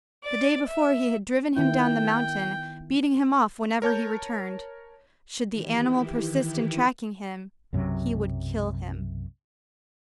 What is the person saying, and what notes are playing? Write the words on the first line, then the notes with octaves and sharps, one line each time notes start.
The day before he had driven him down the mountain, beating him off whenever he returned. Should the animal persist in tracking him, he would kill him.
D5
E5
D#3 B3 E4 G5
A#4 C#5 A5 G6
D#3 E3 E4 G4
B1 F#2 C3 F#3